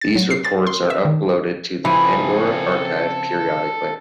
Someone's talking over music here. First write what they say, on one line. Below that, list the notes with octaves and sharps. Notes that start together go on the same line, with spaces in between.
These reports are uploaded to the Pandora Archive periodically.
A6
F#3
C7
A6
C6
E5
D#3
C#3 E3 F3 C4 A4 G#5